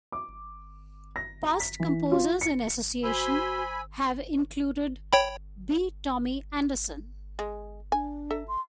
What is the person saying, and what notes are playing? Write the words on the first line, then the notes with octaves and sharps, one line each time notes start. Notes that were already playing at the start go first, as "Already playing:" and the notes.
Past Composers-in-Association have included B Tommy Andersson.
D6
A#6
A#5
B6
E3
F4
C#7
F#4 C5 G#5 B5 E6
C#5 G5 B5
G#3
D4 G#5
A4 E5 A#5
C6